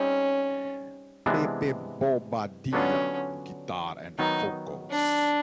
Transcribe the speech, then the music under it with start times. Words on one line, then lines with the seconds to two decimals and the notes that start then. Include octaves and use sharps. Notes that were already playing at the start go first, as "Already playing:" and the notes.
Pepe Bobadilla: Guitar and Vocals.
Already playing: G3 C4 C#4 D#4
1.26 C3 E3 G#3 B3 D4
2.72 D3 F#3 B3 C#4 D4 F4
4.18 D#3 F#3 B3 D#4
4.91 D4